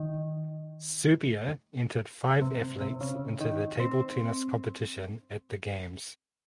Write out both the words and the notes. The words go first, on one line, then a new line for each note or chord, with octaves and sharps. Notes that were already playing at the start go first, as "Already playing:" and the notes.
Serbia entered five athletes into the table tennis competition at the games.
Already playing: D#3
C3
C3
C#3
D#3
C4